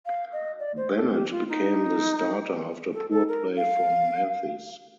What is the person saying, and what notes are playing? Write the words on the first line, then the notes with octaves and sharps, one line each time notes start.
Bennett became the starter after poor play from Mathis.
F5
D#5
D5
C5
A4
G4
F4
D#4
A4
A4
A#4
F5